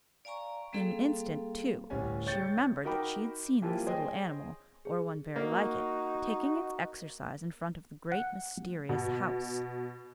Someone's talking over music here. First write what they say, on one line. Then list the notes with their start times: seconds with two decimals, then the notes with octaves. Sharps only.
In an instant, too, she remembered that she had seen this little animal, or one very like it, taking its exercise in front of the great, mysterious house.
0.25 D5 F5 G#5 A#5 C#6
0.73 G3 A#3 C4 G#4 A4 F5
1.90 D1 G3 C#4 G#5
2.26 C#2 C#5 G5 G6 A6 C#7
2.84 D#4 F#4 A#4 G5 B5 D6
3.62 E3 F3 G3 A#3 F4 G4
3.87 G#4 C5 C#5 D#5 G5 G#5
4.85 G#4
5.36 A#3 D#4 F#4
8.12 F#5
8.89 B2